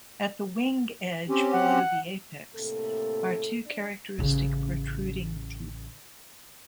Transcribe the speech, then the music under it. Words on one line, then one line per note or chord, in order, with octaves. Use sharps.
At the wing edge below the apex are two characteristic, protruding teeth.
C4 C#4 G4
F#5
A2 C3 A#3 A4
D4
A1 C#3